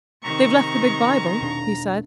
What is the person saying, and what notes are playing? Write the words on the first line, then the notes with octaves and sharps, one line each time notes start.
"They've left the big Bible," he said.
C3 D#3 A#5 C#6
E1 B2 D4